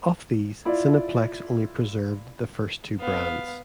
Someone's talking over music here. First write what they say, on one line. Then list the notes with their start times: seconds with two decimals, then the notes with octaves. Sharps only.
Of these, Cineplex only preserved the first two brands.
0.65 E4 F4 D5
2.99 B3 F5